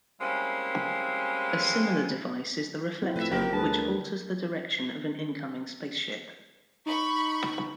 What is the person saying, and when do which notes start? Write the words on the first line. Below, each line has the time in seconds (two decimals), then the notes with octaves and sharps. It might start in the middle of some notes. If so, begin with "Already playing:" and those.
A similar device is the reflector, which alters the direction of an incoming spaceship.
0.21 G3 G#3 A#3 C4 C#4 E4
3.02 C4 E4
3.16 A2 F3 B4 E5
3.32 F#1 F3 G4 A#4 C5
3.53 D2 G3 G#4 B4 A5
6.86 D#4 B5 C#6